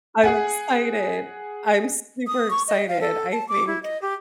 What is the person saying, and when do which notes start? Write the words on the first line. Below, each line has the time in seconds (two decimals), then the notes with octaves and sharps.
I'm excited. I'm super excited, I think
0.23 G#4 F#5 G#5
2.27 D#6
2.50 C#6
2.68 D#5
2.88 F5
3.01 A4
3.32 A5
3.49 D6
3.67 E4
3.83 D#5
4.02 G4